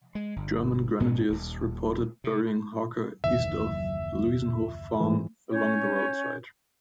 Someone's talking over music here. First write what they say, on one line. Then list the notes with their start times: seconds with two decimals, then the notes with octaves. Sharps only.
German Grenadiers reported burying Hawker east of Luisenhof Farm along the roadside.
0.15 G#3
0.36 G1
1.00 A1 G#2 B3 C#4
1.29 D#1 D#2
2.24 C3
3.24 F#1 D#2 E3 E5
5.00 G#2 E3
5.51 C#4 C#5 G6